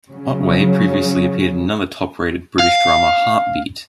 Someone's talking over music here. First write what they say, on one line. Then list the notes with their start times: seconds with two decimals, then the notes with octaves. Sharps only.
Otway previously appeared in another top-rated British drama "Heartbeat".
0.12 C#3 F#3
2.59 F5